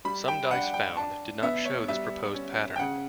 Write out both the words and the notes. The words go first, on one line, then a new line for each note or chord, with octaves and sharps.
Some dice found did not show this proposed pattern.
G3 B5
G5
D4 F#5
G5
D4 A5
B3 E5
C#5
G3 E5
C#4
G5
C#3 F#5